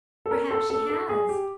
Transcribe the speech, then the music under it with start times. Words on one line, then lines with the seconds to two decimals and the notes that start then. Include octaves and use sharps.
Perhaps she has.
0.26 A4
0.31 A#4
0.51 A4
0.70 A4
0.89 A4
1.09 G#4
1.29 G4